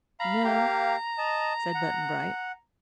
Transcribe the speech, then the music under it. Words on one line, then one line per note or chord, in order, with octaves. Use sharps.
"No," said Button-Bright.
F5 A#5 B5
A#3 G4 F5
D#5 A5
F#5